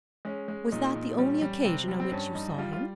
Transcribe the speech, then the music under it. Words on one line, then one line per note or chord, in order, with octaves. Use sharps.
Was that the only occasion on which you saw him?
G#3 C#4
G#3
A#2 D#4
A#2
G3 C#4
G3
C3 C4
G3
C4
G2 C#4
G3 D#4
G3 F4
F4